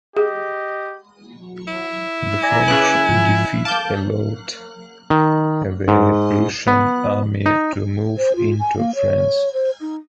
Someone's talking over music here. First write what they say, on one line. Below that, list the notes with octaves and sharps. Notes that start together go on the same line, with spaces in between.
The French defeat allowed the Prussian army to move into France.
G4 G#4 D#5
E4
D5 G#5 A#5
C#3 B4 D6 F#6
G#2 F3
F5 A5 D6 G6
D#3
G#2
B3
D#4
C5
F4
G#5
A#3
C#5
C5
D#4